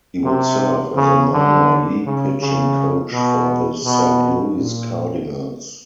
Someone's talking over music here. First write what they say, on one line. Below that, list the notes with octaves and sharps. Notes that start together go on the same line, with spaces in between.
He would serve as a minor-league pitching coach for the Saint Louis Cardinals.
C3
C#3
D3
C#3
C#3
B2
B2
A#2